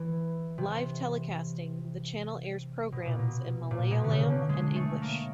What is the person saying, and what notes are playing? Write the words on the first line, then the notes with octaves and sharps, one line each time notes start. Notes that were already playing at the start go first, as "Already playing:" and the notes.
Live telecasting The channel airs programs in Malayalam and English.
Already playing: E3
C3
B2
A#2
B2
A#2
B2
D3
C#3
D3
G#3
A3
A#3